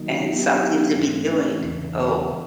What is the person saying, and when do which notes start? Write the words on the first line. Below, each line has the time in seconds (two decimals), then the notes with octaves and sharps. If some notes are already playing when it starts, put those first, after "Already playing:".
and something to be doing oh.
Already playing: D#3 F#3 A#3 D#4
0.29 F#3 B3 E4 G4
0.96 G#2 E3 A3 C4
1.63 E2 C#3 E3
2.30 E3